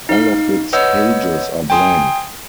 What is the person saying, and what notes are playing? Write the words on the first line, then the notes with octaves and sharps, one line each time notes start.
All of its pages are blank.
D#4 F5
B4 C#5 D#5 F#5 E6 G6
G5 G#5 C6 D#6